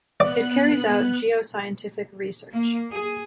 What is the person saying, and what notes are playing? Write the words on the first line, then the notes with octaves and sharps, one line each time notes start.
It carries out geoscientific research.
B3 D5 F#6
A#3
G#4